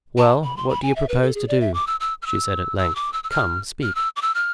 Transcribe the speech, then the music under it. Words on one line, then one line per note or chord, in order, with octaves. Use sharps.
"Well, what do you propose to do?" she, said at length; "come, speak."
A5
B5
C6
B5
G#5
E5
B4
A4
G#4
D5
E5
D6
E6
E6
F6
E6
E6
D6
E6
E6
F6
F6
E6
D6
E6
F6